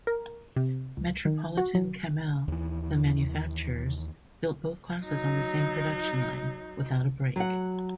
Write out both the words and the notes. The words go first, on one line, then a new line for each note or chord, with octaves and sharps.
Metropolitan-Cammell, the manufacturers, built both classes on the same production line, without a break.
A#4
C3
C#2
D#3
F#4
F#3
D#2 E3
F#3 D#4
F#3 F#5